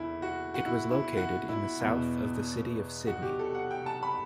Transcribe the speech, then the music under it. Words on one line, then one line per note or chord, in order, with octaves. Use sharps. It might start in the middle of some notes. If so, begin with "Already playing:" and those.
It was located in the south of the city of Sydney.
Already playing: E2 D3 E4
F#4
F#4
E4
E4
F#4
E4
E2 B2
F#4
G4
A4
F#5
G5
A5
B5